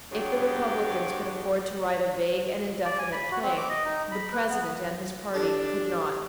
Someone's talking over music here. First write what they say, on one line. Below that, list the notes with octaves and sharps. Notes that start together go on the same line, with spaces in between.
If the Republicans could afford to write a vague and indefinite plank, the President and his party could not.
G2 F#3 G4 G#4 C#5
D5
G#5
B5
F#4
C4
D6
D#5
D#4
B5
B4
B3
D4 G4 A4